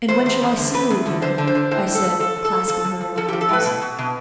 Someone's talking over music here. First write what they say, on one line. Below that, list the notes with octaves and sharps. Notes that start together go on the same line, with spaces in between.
"And when shall I see you again?" I said, clasping her in my arms.
E2 C5
E2 C5
E2
D3
E2 B4
E2
D3
D3 C5
D3
C5
D3
A2 C5
A2
A4
F3
F3 A4
F3
A4
F3
F3 A4
F3
F3
F3 A4
F3 G4
A4
A2 B4
B2
B2
B2